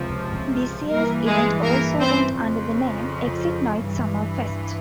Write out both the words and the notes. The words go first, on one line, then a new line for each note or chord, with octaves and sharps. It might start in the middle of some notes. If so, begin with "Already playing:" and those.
This year's event also went under the name 'Exit - Noise Summer Fest'.
Already playing: C#2 C3 F3
G2 E3 A#3 A#4
G#3 G#4
A#3 A#4
C4 C5
F2 C#3 F3
G2 E3